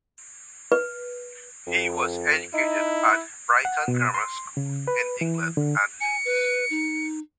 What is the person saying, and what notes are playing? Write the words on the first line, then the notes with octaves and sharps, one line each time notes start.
He was educated at Brighton Grammar School in England and Lewes.
B4
F2
D#4 E4
F#5
B2
C6
C#3
B4
E3
D3
G#5 C#7
B4
D#4